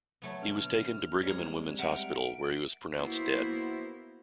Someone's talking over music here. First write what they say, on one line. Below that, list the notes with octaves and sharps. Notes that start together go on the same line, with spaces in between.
He was taken to Brigham and Women's Hospital, where he was pronounced dead.
F#3 A3 B3
B2 D3 F6
G3 G#3 C4 C#5 A#5
A#4 E5 F#5 G5 A#5 D7
A#3 B3 E4 F#4 C5